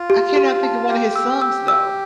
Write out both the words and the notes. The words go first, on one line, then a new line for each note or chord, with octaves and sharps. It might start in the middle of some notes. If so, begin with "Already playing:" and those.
I cannot think of one of his songs though.
Already playing: F4
G4
G4
A5
G4 F5
E6
E6
E6